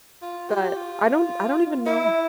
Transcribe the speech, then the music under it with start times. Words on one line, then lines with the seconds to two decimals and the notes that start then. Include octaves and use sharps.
but I don't I don't even know.
0.22 F4
0.49 G4
0.77 F4
1.86 E4